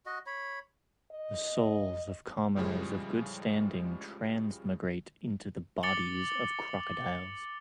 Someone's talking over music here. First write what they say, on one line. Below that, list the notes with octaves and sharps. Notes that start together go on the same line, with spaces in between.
The souls of commoners of good standing transmigrate into the bodies of crocodiles.
F#4 D#5
C#5 B5
D#5
A2 C#3 F3 G3 G#3
D6 A6 C#7 F#7 G7